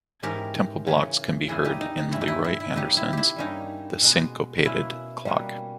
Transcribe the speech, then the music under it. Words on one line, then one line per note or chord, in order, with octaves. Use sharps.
Temple blocks can be heard in Leroy Anderson's "The Syncopated Clock".
G#2 E3 G#3 C#4 G4 A#4
C#3 E3 A#3 C#4
E2 C#3 E3 A#3 C#4 E4 G#4
D#4 G4
D#4
D#4
G2 E3 A#3 C#4 E4
D#4
E4
E4
E4
C#3 G3 B3 D#4 G4
E4
E4 G4
G2 G3 A#3 C#4 D#4
B2 G#3 B3
B2 A#3 C#4 E4
B2 G3 A#3 C#4